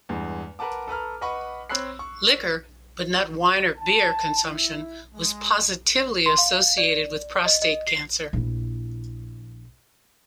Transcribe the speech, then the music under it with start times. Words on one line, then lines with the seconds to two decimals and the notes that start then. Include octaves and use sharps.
Liquor, but not wine or beer, consumption was positively associated with prostate cancer.
0.09 E2 G2 G#3
0.59 A#4 B4 F#5 A5 D6
0.88 A4 B4 A#5 F6
1.21 B4 D#5 F#5 B5 C#6
1.69 C4 C#5 B5 E6 F#6 C7
1.99 C#6
3.77 A5
4.44 E4
5.14 G#3
6.26 C6
6.38 F5
6.78 D5
7.46 D#5
7.62 D#5
7.87 C7
8.33 A#1 E4